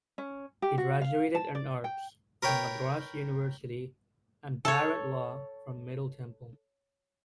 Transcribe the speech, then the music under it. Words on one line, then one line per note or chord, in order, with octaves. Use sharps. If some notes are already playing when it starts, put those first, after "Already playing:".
He graduated in Arts from Madras University and Bar-at-law from Middle Temple.
C#4
G4
F#4
F5
A5
D5
G5
A#4 B4 C#5 G5
A4 C#5